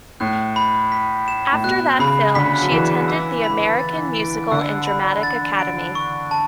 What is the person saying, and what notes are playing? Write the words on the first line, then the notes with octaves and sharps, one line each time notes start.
After that film she attended The American Musical and Dramatic Academy.
A2 F#6
B5
B6
E7
A2
B2 F#6
C#3 B5
D3 B6
F#3
E3 E7
E6
B5
A6
D7
D3 E6
B5
A6
D7
C#6
A5